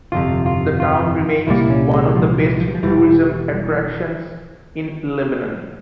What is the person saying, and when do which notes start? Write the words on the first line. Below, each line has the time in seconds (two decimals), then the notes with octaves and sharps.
The town remains one of the best tourism attractions in Lebanon.
0.12 G1 F2 C3 F4
0.46 F4
0.80 F4
1.47 C2 A#2 G3 A#3 E4
1.70 C#4
1.93 G#3
2.08 E3
2.15 F3
2.37 E3
2.60 F3
2.68 G3
2.74 F3
2.83 E1 E2 E3 G3